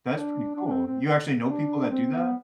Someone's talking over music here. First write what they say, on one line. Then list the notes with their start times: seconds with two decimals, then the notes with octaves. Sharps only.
That's pretty cool. You actually know people that do that?
0.11 D4
0.56 D4
0.67 D4
0.71 C4
0.87 C4
1.46 D4
1.91 C4
2.14 B3